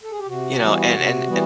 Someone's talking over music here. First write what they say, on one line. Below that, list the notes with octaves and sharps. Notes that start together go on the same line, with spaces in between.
you know, and and
A4
G#4
G4
C3 F#4
E3 G3 B3
C3
E3 G3 B3